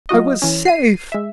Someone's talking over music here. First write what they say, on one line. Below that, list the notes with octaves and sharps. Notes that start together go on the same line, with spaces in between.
I was safe.
F#3 F4 F#4 D#5
E3 C#4
C7 D#7
G#3 E5